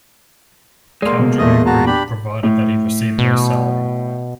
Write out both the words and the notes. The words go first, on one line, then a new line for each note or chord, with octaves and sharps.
Cowdray agreed, provided that he receive no salary.
G#3 A#3 D5 C6
B2
E2 A#2 A3 D#5 D#6
F#4 A5 A#5
D4 G4 B5
A2
B2